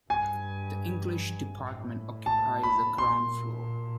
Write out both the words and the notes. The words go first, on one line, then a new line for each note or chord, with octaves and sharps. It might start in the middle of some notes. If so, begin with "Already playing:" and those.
The English Department occupies the ground floor.
G2 G#5
A2
A5
B5
A#2 C6